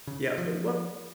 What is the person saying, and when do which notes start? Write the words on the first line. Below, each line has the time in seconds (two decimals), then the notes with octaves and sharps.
Yeah. But what
0.07 C#3
0.38 F3